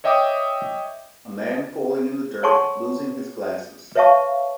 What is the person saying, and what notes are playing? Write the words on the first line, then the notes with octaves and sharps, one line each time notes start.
A man falling in the dirt, losing his glasses.
C#5 D#5 E5 G5 D6 D#6
C#5 F#5 G#5 A5 C6 C#6
B4 C#5 E5 F5 A5 C#6